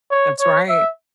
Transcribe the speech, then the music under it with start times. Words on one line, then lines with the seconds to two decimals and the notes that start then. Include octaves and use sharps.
That's right.
0.11 C#5
0.40 C#5
0.69 E5